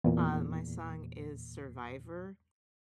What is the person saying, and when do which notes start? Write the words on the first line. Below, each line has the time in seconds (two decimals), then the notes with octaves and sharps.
Uh, my song is Survivor,
0.04 E2 A#2